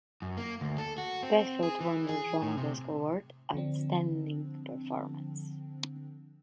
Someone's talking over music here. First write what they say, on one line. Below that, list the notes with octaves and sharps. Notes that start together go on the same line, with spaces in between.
Bedford won the Drama Desk Award, Outstanding Performance.
F#2
A#3
D2
A4
F#4
C4
G#4
E3
G#4
A2
C3
D3 F3 C4 D4